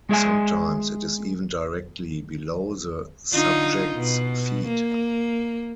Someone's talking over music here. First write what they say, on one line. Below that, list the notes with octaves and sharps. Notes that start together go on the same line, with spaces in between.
Sometimes, it is even directly below the subject's feet.
G#3 G#4 E5 G#5
D3 D#4 F4
B2
A#3